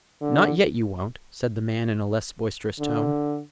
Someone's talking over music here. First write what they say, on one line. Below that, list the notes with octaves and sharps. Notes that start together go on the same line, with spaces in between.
"Not yet you won't," said the man in a less boisterous tone.
D3
D3